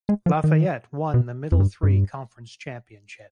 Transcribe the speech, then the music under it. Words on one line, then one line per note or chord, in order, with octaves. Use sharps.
Lafayette won the Middle Three Conference championship.
G#3
F3
D#3
B2
F2
G2
G2